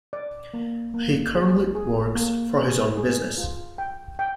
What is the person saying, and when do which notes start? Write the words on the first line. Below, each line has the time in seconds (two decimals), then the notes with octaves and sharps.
He currently works for his own business.
0.13 D5
0.54 A#3
0.94 A#3
1.34 G#4
1.75 G#4
2.15 A#3
2.57 G#4
2.97 G#4
3.38 F4
3.78 G5
4.19 G5